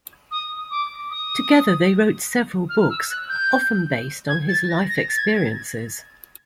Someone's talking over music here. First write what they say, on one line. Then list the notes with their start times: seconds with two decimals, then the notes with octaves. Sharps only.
Together they wrote several books, often based on his life experiences.
0.31 D#6
0.71 D6
1.10 D#6
2.69 F6
2.90 E6
3.10 F#6
3.29 G6
4.29 G#6
4.49 A6
4.69 A#6
4.89 A#6
5.09 A6
5.18 G#6
5.26 A6
5.35 G#6